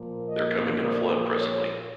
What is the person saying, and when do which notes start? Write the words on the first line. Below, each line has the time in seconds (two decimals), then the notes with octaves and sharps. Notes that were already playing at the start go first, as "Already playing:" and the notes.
They’re coming in a flood presently.
Already playing: A#2 F3 A#3
0.28 D#5
0.82 D5
1.34 C#5